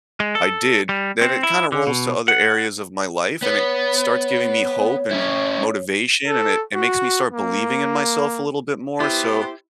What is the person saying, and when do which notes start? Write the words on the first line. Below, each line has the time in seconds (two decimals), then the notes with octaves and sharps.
I did- then it kinda rolls to other areas of my life and it starts giving me hope, and motivation, and it it makes me start believing in myself a little bit more, so
0.20 G#3
0.35 A4
0.89 G3
1.21 C4
1.43 E4
1.72 D3
1.87 B2
2.28 F#5
3.42 B3 C#5
5.11 C#4 E4
6.27 A4
6.74 F#4
7.32 A#3
9.00 B3 E4 G4 C5